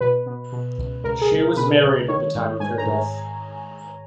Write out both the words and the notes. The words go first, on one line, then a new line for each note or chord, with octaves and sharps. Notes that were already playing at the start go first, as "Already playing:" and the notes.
She was married at the time of her death.
B2 B4
B2
B2
C#2
C#2 A#4
G#4
C#2
A#4
B2 B4
C#2
D#3 C#5
G#2
G#2 G#5
A#5
G#2